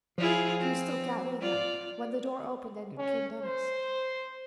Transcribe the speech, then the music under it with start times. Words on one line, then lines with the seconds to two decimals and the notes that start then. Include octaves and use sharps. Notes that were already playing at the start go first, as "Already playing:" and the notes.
She was still gathering them when the door opened and in came Denis.
0.18 F3 E4 F4 G#4
0.60 C4
1.40 F4 D5
2.98 C#4
3.42 C5